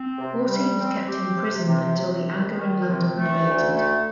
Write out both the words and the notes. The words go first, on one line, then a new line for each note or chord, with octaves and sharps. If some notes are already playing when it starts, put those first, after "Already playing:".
Horsey was kept in prison until the anger in London abated.
Already playing: C4
C3
G3
C4
G4
C3
C3
C3
D#3
D#3
C3
A3
D2
A3